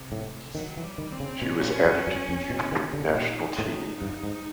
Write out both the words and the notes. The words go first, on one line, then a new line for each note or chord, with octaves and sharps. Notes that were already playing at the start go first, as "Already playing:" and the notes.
She was added to the junior national team.
Already playing: C3
A2
D#3 F#3
E3
G3
D#3
C4
C#3
B2 C#4
A#2
F#2
F#2
F2
B2
D#3
D3
B2
A#2 D#4
A2
G2
G#2